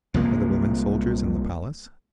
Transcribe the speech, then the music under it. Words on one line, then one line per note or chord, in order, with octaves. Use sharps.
"Are the women soldiers in the Palace?"
C2 F3 G#3 A#3